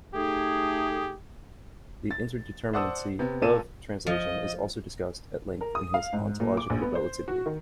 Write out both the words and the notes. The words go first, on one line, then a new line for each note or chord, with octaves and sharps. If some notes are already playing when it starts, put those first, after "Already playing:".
The indeterminacy of translation is also discussed at length in his "Ontological Relativity".
A3 D#4 G4 G#4
A6
C5 D5 F#5 A5 D#6 E6
C3 B3
A#2 A4 A5 D#7 E7
F3 D#5
A#4
D#6
F5
G#2
A#2
D6
A#1
B3
C5
F#4
D#3